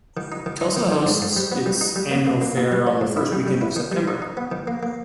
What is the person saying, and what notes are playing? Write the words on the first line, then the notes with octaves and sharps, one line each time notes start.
Kelso hosts its annual fair on the first weekend of September.
D#3
D#4
D#3
D#4
D#3
D#3
G#2
G#2
G3
B3
G3
D#4
G3
A#3
A#3
A#3
A#2
G3
C#4
G#2
E4
G3
G3
E4
D#3
G3
D#4
D#4
B3
D#3
A#3
A#3